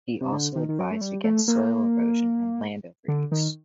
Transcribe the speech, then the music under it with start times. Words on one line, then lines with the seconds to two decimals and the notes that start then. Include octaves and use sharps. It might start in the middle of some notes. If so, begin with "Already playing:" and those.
He also advised against soil erosion and land overuse.
0.21 C3
0.33 D3
0.56 D#3
0.69 D#3
0.79 F#3
0.91 A3
1.01 G3
1.24 A3
1.48 A#3
3.08 D3
3.32 D#3